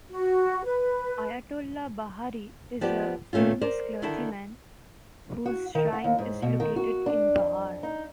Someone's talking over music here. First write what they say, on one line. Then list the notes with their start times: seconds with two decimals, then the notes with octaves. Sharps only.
Ayatollah Bahari is a famous clergyman whose shrine is located in Bahar.
0.10 F#4
0.65 B4
2.81 F3 B3 G4 D5
3.33 A#2 D#3 A3 C#4 F4
3.61 A#4 C5 D5
4.02 D3 D#3 E4 A5
5.46 F#4
5.75 D#3
5.93 F#5
6.04 D#2
6.18 G#2
6.42 B2
6.60 D#3
6.76 F#4
7.06 D4
7.38 F2
7.83 D#4